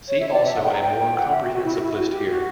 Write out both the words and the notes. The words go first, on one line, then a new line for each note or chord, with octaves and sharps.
See also a more comprehensive list here.
C#5
E5
C#5
D5
E5
F#5
G5
A#5
G5
F#5
E5
F#4
F#4
E4
F#4
E4
F#4
G4
F#4